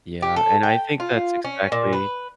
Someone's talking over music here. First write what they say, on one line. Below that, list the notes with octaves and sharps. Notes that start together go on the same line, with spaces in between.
Yeah, and I think that's exactly
G4
A4
G5
F4
C#4
A#2
B4